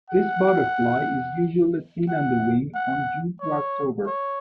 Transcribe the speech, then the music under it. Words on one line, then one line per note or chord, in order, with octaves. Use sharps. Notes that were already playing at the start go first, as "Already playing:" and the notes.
This butterfly is usually seen on the wing from June to October.
F#5
F#5
F#5
C#5
C#5